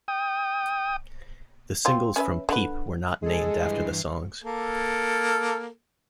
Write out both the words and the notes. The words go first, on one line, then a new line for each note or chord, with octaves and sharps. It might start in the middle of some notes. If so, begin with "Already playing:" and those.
The singles from "Peep" were not named after the songs.
G5 D#6
C4 F4
C#4 B4 E5
D3 B4
G#3 G#4 A4
G2 E3 C7
A#3 A4